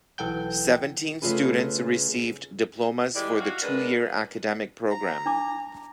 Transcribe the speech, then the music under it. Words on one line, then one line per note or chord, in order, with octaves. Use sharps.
Seventeen students received diplomas for the two-year academic program.
B1 E3 A4 F#5 G5 G6
C#3 A3 F4 G#4 B4
E3 G#3 A3 G4 D5
F#4 F5
G#3 D4 A#4 B4
A#5
D4 A5 D6